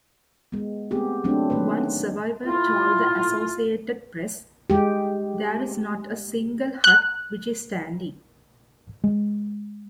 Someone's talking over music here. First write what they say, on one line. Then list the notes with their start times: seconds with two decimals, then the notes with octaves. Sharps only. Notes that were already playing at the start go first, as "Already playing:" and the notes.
One survivor told the Associated Press: There's not a single hut which is standing.
0.52 G#3 B3
0.91 A3 B3 C4 G4 G#4
1.24 F#3 A3 C4 D4
1.50 D#3 A3 A#3 B4
2.46 A3 E4 F4
4.70 G#3 G4
6.84 F#6
9.04 G#3